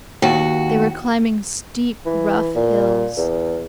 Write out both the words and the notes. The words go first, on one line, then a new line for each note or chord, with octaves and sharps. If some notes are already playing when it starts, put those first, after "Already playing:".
They were climbing steep, rough hills.
D#2 F#4
E3
A#2
E2